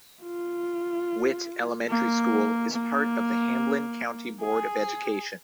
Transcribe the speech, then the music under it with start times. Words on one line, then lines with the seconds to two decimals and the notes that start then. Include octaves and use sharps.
Witt Elementary School is part of the Hamblen County Board of Education.
0.23 F4
1.89 A#3
2.73 A#3
4.41 G#4